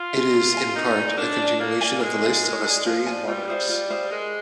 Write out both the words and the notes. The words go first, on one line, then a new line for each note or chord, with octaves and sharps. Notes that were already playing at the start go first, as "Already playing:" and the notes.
It is, in part, a continuation of the list of Asturian monarchs.
Already playing: F4
F5 G#5
A#4
F5 G#5
D#4 A#4
D5 G#5
D4 A#4
D5 G#5
A#3 A#4
D5 F5 G#5
G#3 A#4
D5 F5 G#5
A#4
D5 G#5
F3 A#4
D5 G#5
G3 F4
G#4 C5 F5
F4
G#4 C5 F5
G#3 A#4